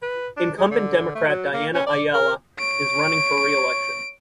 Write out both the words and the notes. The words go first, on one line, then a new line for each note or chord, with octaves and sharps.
Incumbent Democrat Diana Ayala is running for reelection.
B4
D4
G#3
D3
A3
F#3
A#3
C#4
D5
A#4
C#5 D7